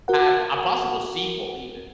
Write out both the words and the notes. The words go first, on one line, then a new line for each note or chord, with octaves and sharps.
had a possible sequel even,
F#4 A#4 F#5